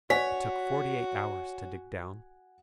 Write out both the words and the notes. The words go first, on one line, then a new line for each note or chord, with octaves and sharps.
It took forty-eight hours to dig down.
F#4 C#5 F#5 G#5 B6